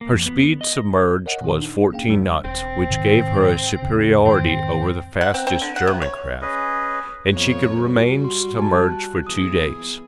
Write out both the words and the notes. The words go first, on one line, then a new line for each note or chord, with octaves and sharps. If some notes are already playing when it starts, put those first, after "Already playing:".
Her speed submerged was fourteen knots, which gave her a superiority over the fastest German craft, and she could remain submerged for two days.
A#3
F2
B3
D#5
A#4 C#5 D#5 F#5
A#2 D#3
D4 D#4
A#3 C#4 G#4 F5 G5
E2 D3 F#3 G3 D4
E1 C4
G#2 C3 D#3
E2 C#3
F2 G#2 D#3 C4
F#5
C4
C4
D3
F#5
C3
C#5
C#4 G#4 B4 D#5
F2 B3 C#5
G3 F#4
C6
G#5 A5
F#6
E3 B3 G#4 D#6